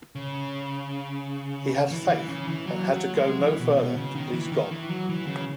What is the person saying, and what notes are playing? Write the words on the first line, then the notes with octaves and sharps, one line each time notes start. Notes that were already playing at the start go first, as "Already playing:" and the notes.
He had faith and had to go no further to please God.
C#3
E3
E3
C#3
E3
F#3
F#3
G#3
E3
B2
B2
C#3
D#3
E3
D#3
E3
F#3
E3
C#3